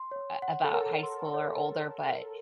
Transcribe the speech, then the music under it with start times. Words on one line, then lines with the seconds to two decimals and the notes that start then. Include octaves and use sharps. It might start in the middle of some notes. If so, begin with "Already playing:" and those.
uh, about high school or older, but
Already playing: C6
0.11 C#5
0.42 F#5
0.64 A4
0.72 A#4 C#5
1.03 C6
1.34 C#5